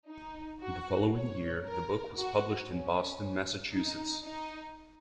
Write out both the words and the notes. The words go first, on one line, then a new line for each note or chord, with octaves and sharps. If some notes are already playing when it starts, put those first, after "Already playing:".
The following year, the book was published in Boston, Massachusetts.
D#4
F#4
C#5
A#4
F#4
C#4
D#4
D#4